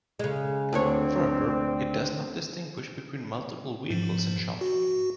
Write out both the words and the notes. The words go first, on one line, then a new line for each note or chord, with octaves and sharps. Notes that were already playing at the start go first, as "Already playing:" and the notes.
Further, it does not distinguish between multiple vehicles in shot.
C#3 G#3
D2 C4 D4 C#5
G#2 F3
F#4